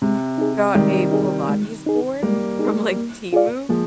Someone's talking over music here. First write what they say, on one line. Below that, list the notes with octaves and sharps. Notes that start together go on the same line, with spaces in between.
got a Pilates board from like, Temu,
C3 G#3
D#4 G#4
D#3 G3 G#3
D#4 G#4
G#3
D#4 G#4
G3 G#3 A#3
D#4 G#4
A#3
F4 G#4 D5 F5
F3 G#3 A#3